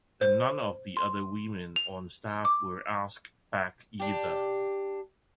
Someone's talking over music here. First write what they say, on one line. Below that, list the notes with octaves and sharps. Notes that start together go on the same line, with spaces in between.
And none of the other women on staff were asked back either.
C5
C6
F7
D6
D4 G4